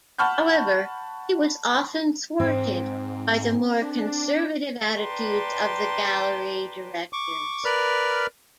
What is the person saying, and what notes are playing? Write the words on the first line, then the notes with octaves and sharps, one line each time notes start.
However, he was often thwarted by the more conservative attitudes of the gallery directors.
F#5 A5 B5 C#6 F6 G6
G#2 C4
D4
B4 D5 G5 A5 A#5 C6
C#6 D6
A#4 B4 D5 B5 F6